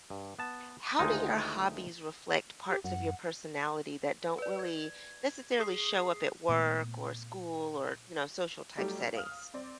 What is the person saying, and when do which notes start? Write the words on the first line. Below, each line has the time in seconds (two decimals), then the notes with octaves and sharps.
how do your hobbies reflect parts of your personality that don't really necessarily show up at work or school or, you know, social-type settings?
0.10 G2
0.39 B3 A5
0.99 D2 D#3 G#3 D#4 F4
2.69 G4
2.84 F#2 F#5
4.38 B4 D5
4.59 G#6
5.59 G#4 D#6 C7
6.49 A#2 A3 B3
8.77 F#3 G3 A3 D#4 G4 D5
9.15 F5 D#6 F6
9.54 C4 D5